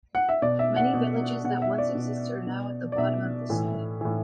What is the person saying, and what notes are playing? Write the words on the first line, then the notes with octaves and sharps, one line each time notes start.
Many villages that once existed are now at the bottom of the sea.
F#5
E5
B2 D5
E5
F#5
B2
B2 F#5
E5
D5
B2
B2
D5
B2 E5
A2 E3
A2 E3